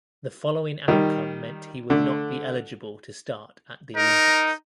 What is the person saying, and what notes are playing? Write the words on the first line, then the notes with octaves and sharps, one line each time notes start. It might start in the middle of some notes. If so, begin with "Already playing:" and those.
The following outcome meant he would not be eligible to start at the Olympics.
D#3 G3
D3 A3
D#4 A#4